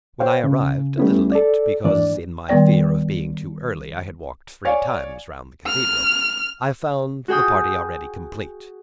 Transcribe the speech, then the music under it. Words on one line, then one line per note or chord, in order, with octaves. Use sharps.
When I arrived, a little late, because in my fear of being too early I had walked three times round the cathedral, I found the party already complete.
C5 C#5 F5 G5
C#3
G3 A3 B3 C#4 E4
A4 D5
G#2 E3 A#3 D4 D5
D#3 G3 B3 D5 G5
C#5 D5 F5 G#5
F6
F#4 G#4 G5 D#6